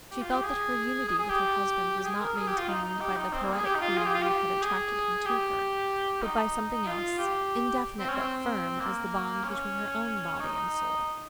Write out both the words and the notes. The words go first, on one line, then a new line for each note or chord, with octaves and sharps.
She felt that her unity with her husband was not maintained by the poetic feelings that had attracted him to her, but by something else--indefinite but firm as the bond between her own body and soul.
G4
F4
G4
G#4
G#4
G#4
G4
G4
G#4
A#4
G#4
G4
F4
D#4
D#4
G4
D#4
C4
A#3
G#4
G4
D#4
F4
G#4
G4
F4
G4
G#4
G4
D#4
F4
G4
C4
C#4
C4
A#3
C#4
D#4